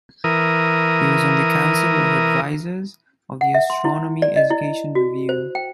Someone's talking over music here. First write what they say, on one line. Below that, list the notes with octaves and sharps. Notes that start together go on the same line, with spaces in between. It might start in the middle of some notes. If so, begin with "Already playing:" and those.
He was on the Council of Advisors of the Astronomy Education Review.
E3 A#4 D#6
F#5
E5
C6
E4
D5
D#5
E4
F#4
C5
G5